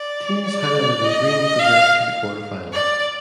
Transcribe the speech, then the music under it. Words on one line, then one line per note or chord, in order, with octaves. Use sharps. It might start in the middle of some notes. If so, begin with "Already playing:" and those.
Teams highlighted in green progress to the Quarter Finals.
Already playing: D5
D5
D#5
F5
D5